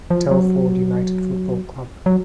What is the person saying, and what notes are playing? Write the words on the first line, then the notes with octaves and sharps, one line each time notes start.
Telford United football club.
F3
F#3
F#3